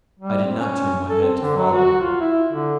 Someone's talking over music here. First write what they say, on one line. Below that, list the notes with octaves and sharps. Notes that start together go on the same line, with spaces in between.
I did not turn my head to follow her.
G3
C4
C#4
A4
C4
D3
F#3
F#4
F4
E4
D3